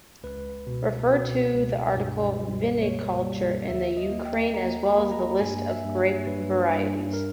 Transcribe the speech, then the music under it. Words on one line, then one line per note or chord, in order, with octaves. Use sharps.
Refer to the article viniculture in the Ukraine as well as the list of grape varieties.
C#2 B4
B2
B2
C#2
G2
G3
A#3 C#5
G3
D#2 E5
D#5
A#3
G5
A#3 A#5
B5
A#3
A#5
G2 G#5
E5
G2
C#5
G2 B4
G2
A#4